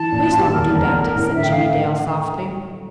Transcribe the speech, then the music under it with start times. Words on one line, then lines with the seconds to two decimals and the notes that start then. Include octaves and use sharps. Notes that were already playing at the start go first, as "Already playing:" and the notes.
"Please don't do that," said Jimmie Dale softly.
Already playing: E3 A5
0.12 A#2
0.29 F4
0.32 A#2
0.38 G4
0.45 A4
0.53 E2 A#4
0.74 E2
0.94 A3
1.15 A2
1.36 D3 E5
1.43 G5
1.50 F5
1.56 D3